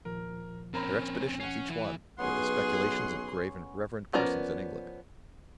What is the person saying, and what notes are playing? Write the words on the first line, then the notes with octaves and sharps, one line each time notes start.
Their expeditions, each one, were the speculations of grave and reverend persons in England.
D#2 A#2 F3 A#4
C4 C#4 A#4 A#5 B5
C#4 F#5 C7
E3
B1 B3 C#4 G#4 F5 F#5 C6
F3 B3 C#4 A#4 D5